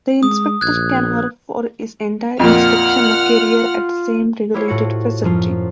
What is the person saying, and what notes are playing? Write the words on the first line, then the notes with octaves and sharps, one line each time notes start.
The inspector can work for his entire inspection career at the same regulated facility.
G#3 D#6
A#1 F#6 G#6
F2 A#2 F4 F#5 F6
E4 F4 G4 C5 C#5 F5
A2 F4 F#4 F5 C#7
F#2 F3 F4